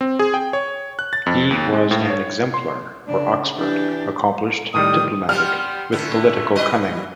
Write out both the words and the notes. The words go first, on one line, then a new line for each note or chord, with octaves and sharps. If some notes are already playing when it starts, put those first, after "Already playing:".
He was an exemplar for Oxford, accomplished, diplomatic, with political cunning.
C4
G#4
G5
C#5
F#6
A6
F2
D#2
G#3
A2
C#5
C6
C#3 D4
E3 D4 G4
A2 D#3 G3 D#6
G3 B3 F#5 G5 C6 F6
D3 A3 B3 C#4 E4
F#3 B4 D#5